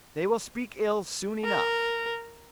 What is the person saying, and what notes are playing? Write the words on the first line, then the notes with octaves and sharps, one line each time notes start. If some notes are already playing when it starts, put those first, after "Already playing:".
They will speak ill soon enough.
A#4